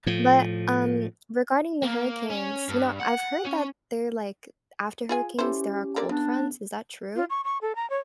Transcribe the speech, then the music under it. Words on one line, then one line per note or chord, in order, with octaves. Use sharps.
but, um, regarding the hurricanes, you know, I've heard that they're like after hurricanes there are cold fronts, is that true?
A2 F3
A#3
C#4
G2
F#5
C#4
F4 G#4 G#5
C#4 E4 G4 A4 C5
D3 A#3 D5
C#3 B3 D4
F4
C#6
C#6
A4
A#5
C#5